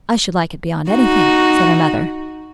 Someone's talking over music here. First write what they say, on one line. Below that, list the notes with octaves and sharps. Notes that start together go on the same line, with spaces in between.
"I should like it beyond anything!" said her mother.
D#4 F#4